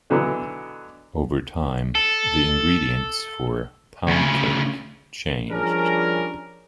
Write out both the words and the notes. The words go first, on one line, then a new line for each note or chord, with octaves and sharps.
Over time the ingredients for pound cake changed.
B2 D3 E3 F#3 B3
A4
D2 C#3
F3 G3 C#4 D4 G#4 A#4